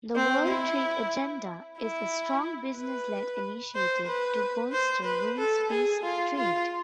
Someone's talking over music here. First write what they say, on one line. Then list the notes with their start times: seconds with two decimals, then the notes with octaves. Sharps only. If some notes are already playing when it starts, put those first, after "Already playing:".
The World Trade Agenda is a strong business-led initiative to bolster rules-based trade.
0.16 C4
0.47 E4
1.79 E4
2.77 B4
3.75 C5
4.07 B4
4.72 C5
5.05 B4
5.38 A4
5.71 G#4
6.03 F4
6.37 F4